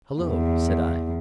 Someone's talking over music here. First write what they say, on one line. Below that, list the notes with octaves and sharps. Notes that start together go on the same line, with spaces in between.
"Hullo," said I.
E2